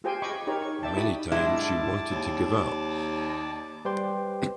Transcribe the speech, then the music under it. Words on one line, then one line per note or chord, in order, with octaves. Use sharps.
Many times she wanted to give up.
F4 G4 G#4 C5 G5 G#5
D#5 G#5 B5 C#6 D6
D#4 G4 A#4 C#5
C#6
D5 E5 G5 A5
D#4 E4 F#4 B5 D#6
G2 F#3 G#3 E4 D5 A5
D#2
G3 G4 B4 C5 G5 C6